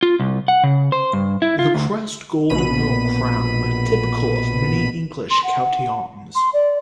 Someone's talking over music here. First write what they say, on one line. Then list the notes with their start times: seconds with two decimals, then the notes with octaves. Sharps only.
The crest gold mural crown, typical of many English county arms.
0.03 F4
0.20 C2
0.48 F#5
0.64 C#3
0.92 C5
1.13 G2
1.42 E4
1.59 F4
1.75 D2
2.50 A#1 B2 B5 D#7
5.30 C6
5.44 F#5
6.35 C6
6.53 D5